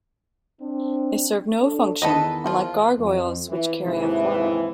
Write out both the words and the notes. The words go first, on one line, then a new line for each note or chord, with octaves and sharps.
They serve no function, unlike gargoyles which carry off water.
C4 D4
D4 A4
E2 D#3 A4 B4 D#5
F3 F4
F2
E3
D#2 G#2 C3 E3